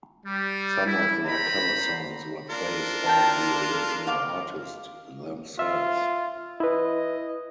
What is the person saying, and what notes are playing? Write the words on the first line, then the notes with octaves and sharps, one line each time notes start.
Some of their cover songs were praised by the original artists themselves.
G3
E4
C5 A#5 B5
D4 F4 A#4
G5 A5
F5 D6
F4 E5
E4 B4 D#5